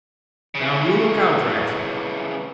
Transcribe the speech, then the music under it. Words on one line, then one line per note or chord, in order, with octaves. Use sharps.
Now, you look out, Rat!
C#3 E3